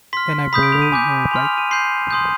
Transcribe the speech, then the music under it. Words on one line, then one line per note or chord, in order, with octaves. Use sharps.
Can I borrow your bike?
C6 F6 B6
B5 D#6 G6 B6
D7
F7
D#7
G#5 D6 G6
G#5 C6 F6 F7
F7
D#7
C6 G6 C7
C6 D#6 G6